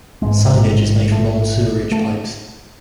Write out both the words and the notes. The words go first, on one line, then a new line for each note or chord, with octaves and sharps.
Signage is made from old sewerage pipes.
A1 G#2 G#3
A3
A3